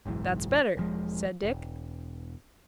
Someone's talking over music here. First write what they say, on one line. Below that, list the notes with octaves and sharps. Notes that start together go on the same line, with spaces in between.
"That's better," said Dick.
F#1 B1 G#2 E3
E1 F3 G#3
E1